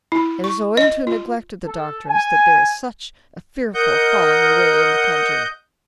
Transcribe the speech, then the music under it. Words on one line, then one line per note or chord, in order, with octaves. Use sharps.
It is owing to a neglect of the doctrines, that there is such a fearful falling away in the country.
E4
C#6
D#5
F4
A4
G#5
A#4 D#5 F#5 G6